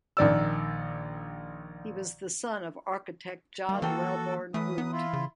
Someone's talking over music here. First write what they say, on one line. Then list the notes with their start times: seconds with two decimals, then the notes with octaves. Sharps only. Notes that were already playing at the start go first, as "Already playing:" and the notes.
He was the son of architect John Wellborn Root.
0.17 A#1 D#3 D5 E6
3.69 D#3 G3 A#3
3.82 E3 A#3 F#4 A4 G5
4.54 E3 F#3 A3 B4 D#6
4.78 B3
4.92 E4 F4
5.13 C#3